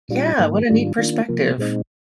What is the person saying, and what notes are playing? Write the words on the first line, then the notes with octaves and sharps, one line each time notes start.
yeah, what a neat perspective.
A#2 G3 D4 F4
G#2 D#3 A#3
G#2 D#3 G3 D4 F4
D#3 A#3 D4 F4
C3 F3 A#3
A#2 G#3 C4 D#4